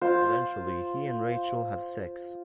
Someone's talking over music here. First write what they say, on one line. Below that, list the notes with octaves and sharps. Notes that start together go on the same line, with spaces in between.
Eventually, he and Rachel have sex.
F4 C5